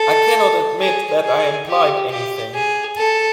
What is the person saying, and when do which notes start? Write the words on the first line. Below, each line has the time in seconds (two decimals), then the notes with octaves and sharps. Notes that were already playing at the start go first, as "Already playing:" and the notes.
I cannot admit that I implied anything.
Already playing: A4
0.80 G#4
1.24 G#4
1.67 G4
2.10 G4
2.54 G#4
2.97 A4